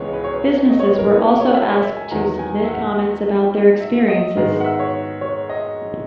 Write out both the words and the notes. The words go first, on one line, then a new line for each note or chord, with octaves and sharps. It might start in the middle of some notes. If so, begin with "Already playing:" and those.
Businesses were also asked to submit comments about their experiences.
Already playing: C#2 C#3 E3 G#3 B3 C#5
B4
C#5
B4
D#5
C#5
B4
A#4
B4
B4
C#5
E5
C#5
E5
G#5
E2 D#3 F#3 B3 A#5
G#5
E5
F#5
E5
D#5
G#2 D#3 G#3 B3
F#5
E5
C#5
C#5
D#5